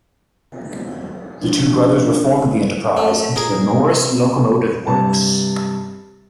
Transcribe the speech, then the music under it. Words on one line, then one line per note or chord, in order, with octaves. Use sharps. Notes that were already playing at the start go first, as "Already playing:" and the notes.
The two brothers reformed the enterprise into the Norris Locomotive Works.
F3 D4
A3
A#2 G#4 A#4
C3
G2 C3 A5